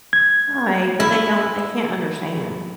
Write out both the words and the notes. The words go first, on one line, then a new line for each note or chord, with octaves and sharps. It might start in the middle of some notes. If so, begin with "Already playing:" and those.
Right, but they don't they can't understand.
G#6
E4